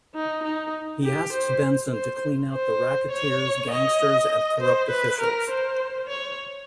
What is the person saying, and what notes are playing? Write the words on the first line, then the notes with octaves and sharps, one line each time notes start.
He asks Benson to clean out the racketeers, gangsters, and corrupt officials.
D#4
D#4
G4
C5
C5
C5
C#5
D#5
C5
B4
A#4
C5
C#5